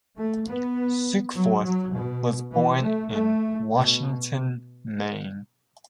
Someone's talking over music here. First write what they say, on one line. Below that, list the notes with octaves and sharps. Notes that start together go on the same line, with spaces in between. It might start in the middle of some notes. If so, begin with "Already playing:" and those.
Sukeforth was born in Washington, Maine.
A3
B3
F#3
F#3
B2
E3
A3
A3
B2